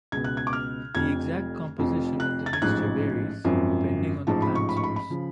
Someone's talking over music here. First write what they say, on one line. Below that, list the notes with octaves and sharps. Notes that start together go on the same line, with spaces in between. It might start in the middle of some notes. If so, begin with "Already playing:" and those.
The exact composition of the mixture varies, depending on the plant source.
C#2 B2 G#6
F#6
G#6
D6
F6
F1 F2 F3 G#6
F1 F2 F3
F#6
A6
G#6
A1 G#2 F3 F#6
G#1 F#2 F3
A1 G#2 F3 A5
B5
C#6
B5
C#6
B5
B5
C#3 F3